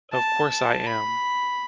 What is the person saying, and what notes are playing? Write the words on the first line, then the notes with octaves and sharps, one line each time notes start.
Of course I am!
A5
A5
B5